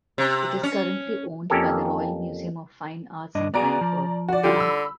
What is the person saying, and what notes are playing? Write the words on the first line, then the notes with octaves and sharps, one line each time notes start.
It is currently owned by the Royal Museum of Fine Arts in Antwerp.
C3
C#4
F2 A#3 C#4 G4 A4 A#4
G2 D4 D#5
B3 F#4 G#4 D5 A#5 D7
F3
F#4 D5
D3 G3 F4 G4
B5 E6